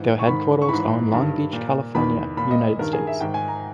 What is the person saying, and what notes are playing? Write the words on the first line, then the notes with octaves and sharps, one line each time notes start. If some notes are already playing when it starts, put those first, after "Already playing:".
Their headquarters are in Long Beach, California, United States.
Already playing: G#2 E3
C#6
G#2 D#3 B5
C#6
G#2 E3 B5
G2 D#3
A#2
E2 D#3 B5
A#2 B5
D#5
G2 D#3 A#4
G#4
E5
G#2 D#3 G5
G#5
A#5